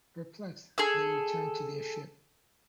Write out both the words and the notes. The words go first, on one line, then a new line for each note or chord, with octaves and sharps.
Perplexed, they return to their ship.
G#4 A4 E6